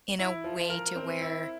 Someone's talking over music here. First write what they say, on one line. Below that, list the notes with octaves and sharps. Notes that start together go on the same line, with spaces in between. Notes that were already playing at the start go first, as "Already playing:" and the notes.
in a way to where
E4
F3
A#4
C4
E4